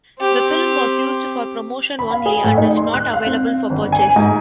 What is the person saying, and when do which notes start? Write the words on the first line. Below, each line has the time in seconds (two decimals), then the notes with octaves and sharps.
The film was used for promotion only and is not available for purchase.
0.20 C4 G4
1.99 B5
2.11 F5
2.26 G#4
2.44 A2
2.57 D#4
2.76 C6
2.94 F#6
3.13 F5
3.26 C4
3.70 G1
3.92 G#5
4.16 G#2